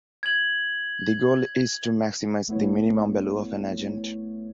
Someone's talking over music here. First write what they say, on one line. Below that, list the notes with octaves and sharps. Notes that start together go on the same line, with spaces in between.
The goal is to maximize the minimum value of an agent.
G#6 F#7
A#1 A3 B3 E4 C#5